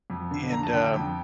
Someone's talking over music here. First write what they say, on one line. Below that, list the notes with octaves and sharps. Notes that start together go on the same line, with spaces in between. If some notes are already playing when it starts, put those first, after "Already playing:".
and, um,
F2
D3
F2 A#5
A5
D3 G5
G5
F2